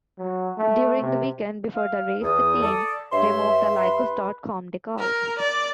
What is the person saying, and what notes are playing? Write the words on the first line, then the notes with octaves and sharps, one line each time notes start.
During the weekend before the race the team removed the Lycos dot com decals.
F#3
A3
C3
F5
E2 D#6
A4 D5
G2 C#5 E5 C6
B4
A#4
D5